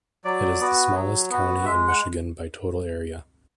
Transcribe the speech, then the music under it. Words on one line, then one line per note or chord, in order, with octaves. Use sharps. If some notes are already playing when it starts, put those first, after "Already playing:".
It is the smallest county in Michigan by total area.
F#3 D5
B3 F#4
F#3
B3 F#4
G#3 E5
F#5